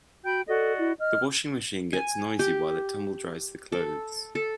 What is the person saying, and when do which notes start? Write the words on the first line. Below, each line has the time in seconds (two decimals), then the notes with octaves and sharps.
The washing machine gets noisy while it tumble dries the clothes.
0.24 F#4 G5 B5 G6
0.48 F#4 A4 D5 D#5
0.78 E4
0.99 D#5 F6
1.93 G#5
2.39 G4
3.72 A4
4.35 A4